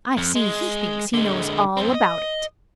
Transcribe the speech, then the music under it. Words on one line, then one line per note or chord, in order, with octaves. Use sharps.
I see he thinks he knows all about it.'
F2
G#3
D3 G#3
F#2 C4
D#5